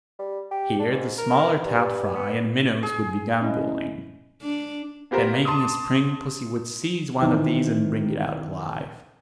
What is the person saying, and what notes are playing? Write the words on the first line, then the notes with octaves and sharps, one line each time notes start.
Here the smaller trout-fry and minnows would be gambolling; and, making a spring, pussy would seize one of these and bring it out alive.
G3
G4
D4
G#2
A#4
G2
B3
G#4
C#4 E4 D#5
D4
A#3 B3 G4 A#4 C5
A5 C6 D6 D#6
D#3 E3 C4